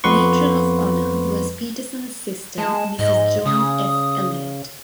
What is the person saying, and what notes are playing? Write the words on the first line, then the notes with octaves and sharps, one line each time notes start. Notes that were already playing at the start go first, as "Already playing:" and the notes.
Matron of Honor was Peterson's sister, Mrs. John F. Elliott.
F2 B3 B4 C6 C#6
G#3 A5
G#2 D#5
C#3 D#6